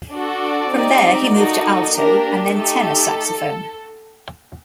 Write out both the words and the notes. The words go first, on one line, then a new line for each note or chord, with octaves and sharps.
From there he moved to alto and then tenor saxophone.
D4 F#4 A4 D5
C4 D#4 G4
A#3 D#4 F#4 A4
A#3 D4 G4 A#4
A#4
A3 D#4 G4 A4